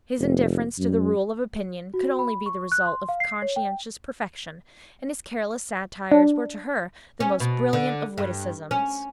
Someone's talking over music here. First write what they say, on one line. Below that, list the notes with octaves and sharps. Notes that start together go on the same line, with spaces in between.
His indifference to the rule of opinion could only be the result of conscious perfection, and his careless satires were to her the most brilliant of witticisms.
F1
F#2
F#4
B5
C#6
F#6
C6
F5
C7
C#5
G5
D4
C#4
B2
D3
G2
C#4